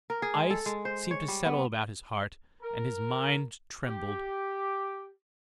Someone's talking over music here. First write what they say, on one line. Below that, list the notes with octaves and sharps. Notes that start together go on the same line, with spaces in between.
Ice seemed to settle about his heart, and his mind trembled.
A#4
G#4
G#3
A4
G#3
C5
C#5
G3
B3
A#4
G4